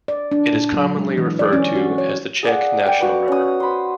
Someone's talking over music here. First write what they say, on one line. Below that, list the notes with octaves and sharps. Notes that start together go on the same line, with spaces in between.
It is commonly referred to as the "Czech national river".
D5
D4
A#2
F#3
G#3
E3
D5
C#4
F#4
C#5
G#4 D5 F5 F#5
G5
B3 F#4 F5
C#4 D#6
C5 B5